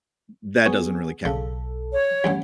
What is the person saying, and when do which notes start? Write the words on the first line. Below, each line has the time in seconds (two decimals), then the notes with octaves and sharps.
that doesn't really count.
0.66 B3 G#4 C#5 G#5
1.25 B1 C#3 A4
1.92 C#5
2.24 A1 G2 C#4 F#5